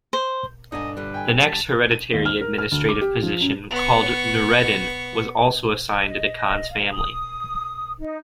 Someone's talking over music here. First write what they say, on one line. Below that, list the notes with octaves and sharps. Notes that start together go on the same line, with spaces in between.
The next hereditary administrative position, called "Nureddin," was also assigned to the khan's family.
C5
G1 D4 D#4 D#5 F#5 G#5
D3 G3 B4
G5 G#5
A5 B6
D#7
D#2
F6
A#4
F6
D2
D6
G4
F3
F#2
B3 C#6
D#5
F5
D#6
D#4